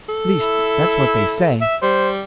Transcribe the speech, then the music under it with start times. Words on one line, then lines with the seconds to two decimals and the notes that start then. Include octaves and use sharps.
At least that's what they say.
0.09 A4
0.41 E4
1.61 E5
1.82 G3 C5